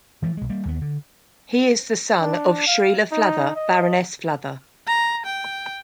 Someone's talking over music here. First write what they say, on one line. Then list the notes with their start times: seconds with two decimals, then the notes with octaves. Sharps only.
He is the son of Shreela Flather, Baroness Flather.
0.22 E3 F3 G#3 A3
0.37 B1 G#3
0.49 G3 A#3
0.65 D#2 B3
0.82 D3
2.21 D4
2.67 F5
3.12 D#4
3.55 D#5
4.87 A#5
5.26 G5